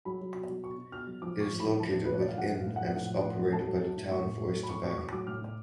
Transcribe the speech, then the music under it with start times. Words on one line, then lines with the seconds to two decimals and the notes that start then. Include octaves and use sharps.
It is located within and is operated by the Town of Oyster Bay.
0.05 F#3 B5
0.21 F#3
0.34 B2
0.50 F#3
0.63 B2 C#6
0.78 B2
0.92 B2 F6
1.07 F#3
1.22 F3 D6
1.37 A2 C#6
1.51 F3
1.60 B5
1.65 A2
1.79 F3 A5
1.93 A2
2.05 B4
2.09 F3 C#5
2.21 A2 D5
2.29 F5
2.37 F3 F#5
2.52 A2
2.57 F5
2.66 A2
2.76 F3 F#5
2.95 A2 F#5
3.10 F3
3.24 A2
3.38 F3
3.53 A2 A5
3.67 F#3
3.83 F#3
3.97 A2
4.11 A2 C#6
4.26 A2
4.40 A2
4.54 F#3
4.63 B5
4.69 A2 C#6
4.84 F#3 C#6
4.98 A2 D6
5.12 F#3 D6
5.27 A2 F6
5.41 A2